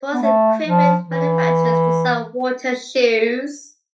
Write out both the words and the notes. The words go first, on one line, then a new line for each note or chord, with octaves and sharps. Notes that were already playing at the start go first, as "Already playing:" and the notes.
Sports equipment manufacturers design water shoes.
B3
A3
F3
E3